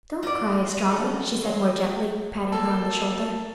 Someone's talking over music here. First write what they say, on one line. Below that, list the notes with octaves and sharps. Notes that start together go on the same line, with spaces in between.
"Don't cry, Estralla," she said more gently, patting her on the shoulder.
G#2 D4 D5 D#5
F#4
F#2 D3 A4
D#3 F3 F#3
G4
A#3 A4 A5